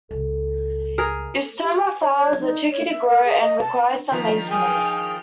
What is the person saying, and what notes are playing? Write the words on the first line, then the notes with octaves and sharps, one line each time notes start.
"Eustoma" flowers are tricky to grow and require some maintenance.
C#2 A4
G#4 A#4
G4
G#5
C#5
C#5
D#4
C#5
E5
A#4
G#4
D#5
A5
D#3 F3 A#5 B6
G#4 G5 G#5 F6